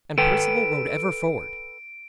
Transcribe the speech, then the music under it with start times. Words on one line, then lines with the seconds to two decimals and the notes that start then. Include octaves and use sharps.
And Perceval rode ever forward.
0.18 A4 B4 G5 D7